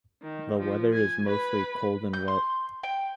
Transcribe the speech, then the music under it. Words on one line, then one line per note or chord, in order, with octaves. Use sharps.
The weather is mostly cold and wet.
D#3
F3
G#5
B4 B5
G6
C6
G5